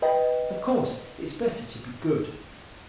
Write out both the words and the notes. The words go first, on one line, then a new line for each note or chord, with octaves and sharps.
Of course it's better to be good.
B4 D#5 G5